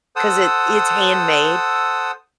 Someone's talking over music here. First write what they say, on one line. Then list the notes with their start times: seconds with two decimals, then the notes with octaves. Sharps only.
'cause it it's handmade.
0.16 A4 C5 F#5 D#6 E6